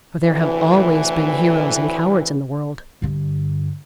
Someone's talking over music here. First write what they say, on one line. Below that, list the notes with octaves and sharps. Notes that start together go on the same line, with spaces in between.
For there have always been heroes and cowards in the world.
D2 A2 C3 E3
G2 D3